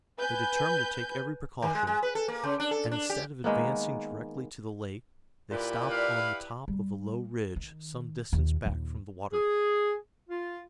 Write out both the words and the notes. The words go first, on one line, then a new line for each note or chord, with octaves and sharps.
They determined to take every precaution, and instead of advancing directly to the lake they stopped on the top of a low ridge some distance back from the water.
B4 G#5 G6
D#3
G#3
G#3
B4
A4
A#3
C#3
D4
A4
D4
G4
D#3 G#3 A#3 B3
A#2 E4 G4 B4
D5 F5
G3
D#3
D#2 A#2
D#2 A#2
G#4
F4